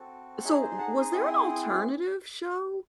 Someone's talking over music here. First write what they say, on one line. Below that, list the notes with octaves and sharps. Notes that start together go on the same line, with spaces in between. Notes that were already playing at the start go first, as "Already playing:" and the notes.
so, w was there an alternative show
Already playing: C4 F#4 A4
F#5
D#4 G#4 C#5 E5
C5
C6
F#5 A5
C6 D#6
C4 E4 G#4 C6 D#6